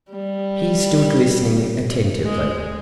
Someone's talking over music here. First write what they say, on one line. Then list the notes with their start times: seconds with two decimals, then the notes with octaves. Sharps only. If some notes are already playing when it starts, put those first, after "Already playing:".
He stood listening attentively.
0.10 G3
2.24 G#3